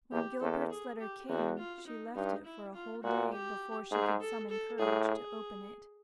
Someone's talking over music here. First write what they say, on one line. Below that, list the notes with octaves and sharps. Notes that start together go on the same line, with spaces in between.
When Gilbert's letter came she left it for a whole day before she could summon courage to open it.
E2 G4
E2 A4
G#4
G4
E2 F#4
F4
D#4
G2 D#4
E4
F4
A#2 F#4
G4
G#2 G#4
A4
A4
A2 G#4
G#4